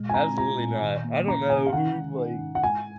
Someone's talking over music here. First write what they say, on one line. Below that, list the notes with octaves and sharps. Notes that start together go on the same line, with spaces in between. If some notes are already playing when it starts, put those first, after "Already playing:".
Absolutely not. I don't know who, like
Already playing: A#2 G#3
G#5
C4 A#5
F4 A#5
A#2
D#3
A#3
C#4 A#5
C3 G#5
F5
D#3 F#5
G#3
D#4
G#2
F#5
G#3 G#5